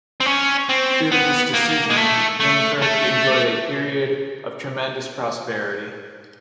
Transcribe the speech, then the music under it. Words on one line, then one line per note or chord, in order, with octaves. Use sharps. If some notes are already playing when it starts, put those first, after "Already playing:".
Due to this decision, Vimperk enjoyed a period of tremendous prosperity.
C4
C#4
C4
B3
A#3
G#3
A3
A3
A3